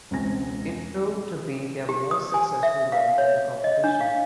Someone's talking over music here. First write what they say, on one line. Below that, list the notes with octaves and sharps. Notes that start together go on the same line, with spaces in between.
It proved to be their most successful run in the competition.
E1 C#2 C#3 C4 G#5 A#6
G4
D#6
G#5
E5
F5
C#5
D#5
D4
F5